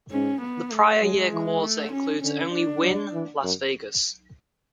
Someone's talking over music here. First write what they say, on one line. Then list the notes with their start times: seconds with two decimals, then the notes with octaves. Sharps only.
The prior year quarter includes only Wynn Las Vegas.
0.11 G#2 C#4
0.42 B3
0.72 A3
1.02 F#3 G#3
1.32 E3
1.63 A3
1.93 C#4
2.23 D3 C#4
2.53 D4
2.83 F#3
3.13 E3
3.43 F#2